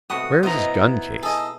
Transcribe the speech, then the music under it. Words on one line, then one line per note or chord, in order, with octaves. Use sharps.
Where is his guncase?
C3 A3 B3 F#4 D#6
B2 B3 D#4 E4 C5 A#5
G#4 A4 D#5